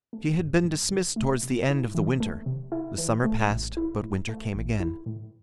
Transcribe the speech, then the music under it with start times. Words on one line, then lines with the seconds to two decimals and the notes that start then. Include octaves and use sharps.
She had been dismissed towards the end of the winter; the summer passed, but winter came again.
0.13 A3
0.39 G2
0.64 G2
0.91 D3
1.16 A3
1.43 C3
1.69 E4
1.95 E3
2.20 A3
2.46 C3
2.72 E4
2.98 E3
3.24 A3
3.50 A1
3.77 E4
4.02 A2
4.29 A3
4.54 A1
4.80 E4
5.06 A2